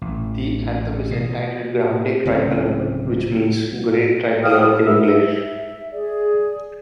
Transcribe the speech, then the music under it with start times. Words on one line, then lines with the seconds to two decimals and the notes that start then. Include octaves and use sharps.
The anthem is entitled "Grande Tricolor", which means "Great Tricolor" in English.
0.02 A1
1.11 B2
2.26 D1 C#3 C4 C#4
4.43 F5 G5 D#6 F6
4.58 E4 A4
4.86 E4 A#4 E5 E6
5.00 E5
5.92 G#4 D5